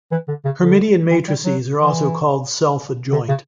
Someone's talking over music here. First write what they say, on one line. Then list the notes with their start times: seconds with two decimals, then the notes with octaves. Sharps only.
Hermitian matrices are also called self-adjoint.
0.11 E3
0.28 D3
0.45 C#3
0.62 D3
1.11 E3
1.28 G3
1.45 F#3
1.79 E3
3.12 D3
3.28 C#3